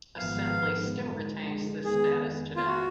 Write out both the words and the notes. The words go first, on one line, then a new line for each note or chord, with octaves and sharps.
Assembly still retains this status today.
G#1 G#2 F3 G#3 B3 F5
F#2 D3 F3 G#3
F2 D#3 G#3 B3 G#4
F4
F#4